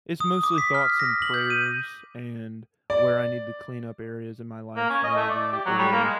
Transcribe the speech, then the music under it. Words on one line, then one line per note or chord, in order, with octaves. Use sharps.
It's mostly thoughts and prayers and where I need to clean up areas in my life maybe or,
D#6
D6
B6
F6
A#6
F#7
G6
D#7
D5
A#3
C#4
D#5
A3
D5
G4
F#3
G3
A#3
G#3